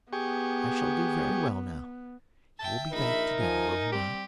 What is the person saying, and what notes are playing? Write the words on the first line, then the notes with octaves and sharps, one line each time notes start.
"I shall do very well now. He will be back to dinner, will he not?"
B3 G4 G#4 C#6
E5 G5 A5
A#1 D#4 A#4 E5 B5
F3 G#5
G3 C4 G4